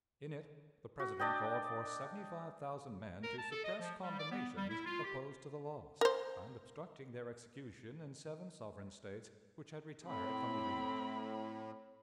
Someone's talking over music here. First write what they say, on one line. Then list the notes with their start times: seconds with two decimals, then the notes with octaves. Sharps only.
In it the President called for seventy-five thousand men to suppress "combinations" opposed to the laws, and obstructing their execution in seven sovereign States which had retired from the Union.
0.99 F#4
1.19 D4 D5 D#5 G5
3.22 A#4
3.38 A5
3.51 A4
3.64 D#5
3.79 F3
4.01 G3
4.19 D5
4.31 B3
4.56 G3
4.68 E4
4.85 F4
5.03 G4
6.01 A#4 C5
10.06 A2 C4 B5